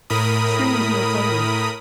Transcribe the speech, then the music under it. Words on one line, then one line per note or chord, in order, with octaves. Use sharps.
String is my foible.
A2 A#4 B5 D#6